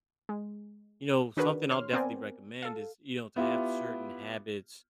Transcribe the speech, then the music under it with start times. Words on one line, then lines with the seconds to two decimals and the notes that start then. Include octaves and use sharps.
you know, something I'll definitely recommend is, you know, to have certain habits,
0.29 G#3
1.37 D#3 D4 F#4 G#4 A#4 B4
1.71 C#5 C6 F6
1.93 B3 C4 A#4 C5 D5 G#5
2.62 A4 F5
3.36 B3 E4 F4 G4